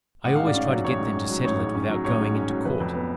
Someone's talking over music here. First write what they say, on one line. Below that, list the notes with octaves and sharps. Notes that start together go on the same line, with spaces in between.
I always try to get them to settle it without going into court.
A1 F#5
G#2 F5
D5
C#4 F5
F#3
A1 C#5
G#2
C#4
F#3
A1 C#5
G#2
C#4
F#3
A1 C#5
G#2
C#4
F#3
F1 B4
F2
B3